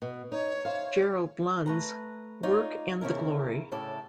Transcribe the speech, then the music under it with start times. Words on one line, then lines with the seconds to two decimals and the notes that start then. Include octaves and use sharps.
Gerald Lund's "Work and the Glory".
0.02 B2
0.32 D#4 C#5
0.65 C5 E5 F5
1.66 A3 B4 A#5
2.43 D#4 F4 C#5 D5
3.01 E2 C#3 E3 E4 A#4
3.72 A2 C#3 E4 A4 D5